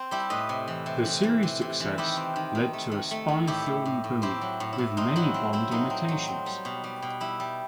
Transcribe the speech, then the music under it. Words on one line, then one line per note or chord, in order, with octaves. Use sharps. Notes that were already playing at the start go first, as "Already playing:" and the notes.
The series' success led to a spy film boom with many Bond imitations.
Already playing: C4
G3 E4 G4
A2 B4 D#5
C3
E3
C3
E3
E3
C3
C3
E3
D#3 E4 G4
C4
D#3
D#3
A3
D#3
A3
D#3
A2 E4 G4
A2
A2
A2
C4 E4 G4
F#3
A2
E4
A2
C4 D#4
F#3 E4
C4
C4 E4
F#3 D#4
C4
F#3
C4
G3
B2
G3
B2
G3 E4
G3